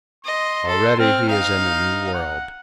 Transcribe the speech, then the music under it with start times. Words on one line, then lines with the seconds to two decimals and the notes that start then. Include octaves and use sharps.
Already he is in a new world.
0.25 D#5 C6
0.67 A4
0.99 C4 F6
1.29 D#4 F5
2.14 F#5